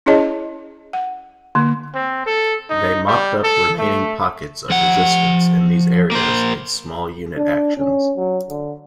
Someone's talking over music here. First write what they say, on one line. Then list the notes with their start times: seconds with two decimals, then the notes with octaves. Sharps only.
They mopped up remaining pockets of resistance in these areas in small unit actions.
0.06 C#4 E4 G#4 C#5 D#5 A5
0.93 F#5
1.55 D3 A#3
1.95 C4
2.26 A4
2.69 D#4
3.07 G3
3.44 A4
3.78 A3
4.70 F3 F#5
6.11 A#3 C5
7.36 D4
7.77 C#4
8.17 F#3
8.49 D3